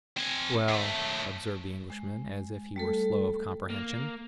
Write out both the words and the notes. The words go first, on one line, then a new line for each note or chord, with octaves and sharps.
"Well," observed the Englishman as if he were slow of comprehension.
C4 G#5
D#2 A3
G#3
G3 A3 A4
A#3